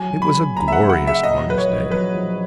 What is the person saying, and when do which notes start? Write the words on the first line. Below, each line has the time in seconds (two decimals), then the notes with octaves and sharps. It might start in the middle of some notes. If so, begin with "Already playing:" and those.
It was a glorious August day.
Already playing: F#3 G#5
0.11 F#3
0.22 B5
0.34 C#3
0.56 A#3 A#5
0.68 E5
0.73 F#5
0.79 C#3
0.89 F#5
1.02 C#3
1.07 E5
1.23 A#2 D#5
1.46 F#3 B4
1.58 C#5
1.69 A#1
1.91 F#3 B4
2.14 A#1